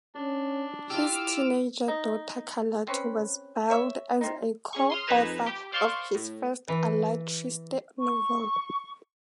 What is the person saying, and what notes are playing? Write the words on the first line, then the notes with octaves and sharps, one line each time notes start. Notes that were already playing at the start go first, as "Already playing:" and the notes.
His teenage daughter Carlota was billed as a co-author of his first Alatriste novel.
C#4 D4
E4 F4 G4 D6 E6 F6
D#4
C4 C#4 B4
C#5 E5
D#3 C4 D#4
C#4 G#4 C#6
C6 D#6 F6
F2 D#4 B4 G#5 A#5 E7
G4
C5 D5 F5 C6 C#6
A2
E3
C#6